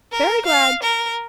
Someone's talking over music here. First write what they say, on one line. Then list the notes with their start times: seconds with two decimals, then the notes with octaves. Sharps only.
Very glad!
0.12 A#4
0.46 F5
0.83 A#4